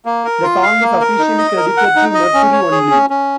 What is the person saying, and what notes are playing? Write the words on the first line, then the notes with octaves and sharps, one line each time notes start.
The song is officially credited to Mercury only.
A#3
A#4
F4
F5
A#3
A#4
D#4
D#5
A#4
F#5
D#4
D#5
C#4
C#5
G#4
C#4
C#4